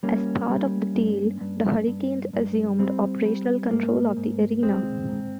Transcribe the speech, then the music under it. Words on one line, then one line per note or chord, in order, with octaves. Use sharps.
As part of the deal, the Hurricanes assumed operational control of the arena.
G3 A#3 C#4
G3
G2
G2
G2
G2
G3 C4
G3
G#2 A#3
G#2
G#3 C4
G#2